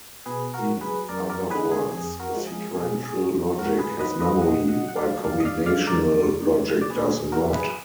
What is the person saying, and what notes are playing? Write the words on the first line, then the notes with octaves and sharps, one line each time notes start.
In other words, sequential logic has "memory" while combinational logic does not.
B2 G#4 B4
F#4 A#4
F#3
G#4 B4
F#2 A#4 D5
A#4 D5
D3 G#3 G#4 B4
G#4
F2 G#4
F#4 A#4
F3 G#3
G#4
B2 G#4
G#4
F#3
G#2 F#4 A#4
G#4 B4
D#3 F#3 B4 D#5
B4 D#5
A#2 D#5 F#5
D#5 F#5
F#3
F#5
D5 F5
F#2 D5 F5
D#5
D5 F5
D3 G#3 D5 F5
A#4 D5
F2
F3 G#3
D5
A#2 G#4 B4
G#4
F#3 F#4 A#4
G#4 B4